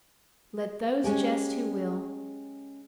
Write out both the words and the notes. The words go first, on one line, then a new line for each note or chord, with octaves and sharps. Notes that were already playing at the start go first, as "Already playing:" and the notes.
Let those jest who will.
G#3 C#4 G4